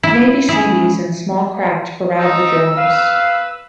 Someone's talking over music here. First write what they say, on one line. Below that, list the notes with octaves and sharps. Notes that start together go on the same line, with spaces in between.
Navy Seabees in small craft corralled the drums.
E4
G#3 C#4 D#4 E4
D#4 E6
B4 F5